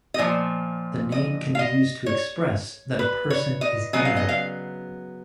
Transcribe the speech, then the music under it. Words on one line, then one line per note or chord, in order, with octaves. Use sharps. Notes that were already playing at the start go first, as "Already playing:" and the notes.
The name can be used to express that a person is evil.
D#5
A#2 F3
D#5
F5
D#5
C#5
B4
C#5
D#5
C#3 F#3 B3 D#5
F5
D#5
F5